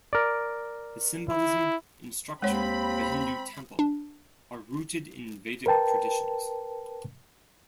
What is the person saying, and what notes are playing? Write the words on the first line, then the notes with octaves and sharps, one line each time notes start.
The symbolism and structure of a Hindu temple are rooted in Vedic traditions.
A#4 D5
E4
D#2 G#3 C4 C#5 B5
D4
A#4 B4 G5 A5